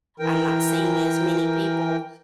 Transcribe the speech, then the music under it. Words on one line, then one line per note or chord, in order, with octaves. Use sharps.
I'm not seeing as many people
E3 A#4 G5